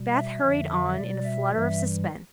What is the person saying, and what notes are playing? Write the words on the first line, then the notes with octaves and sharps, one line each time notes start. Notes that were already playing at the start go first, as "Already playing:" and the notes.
Beth hurried on in a flutter of suspense.
Already playing: B2 G3
E5
F2 D3 F3
B2 G3 D5
E5
G2 E3 G3 E5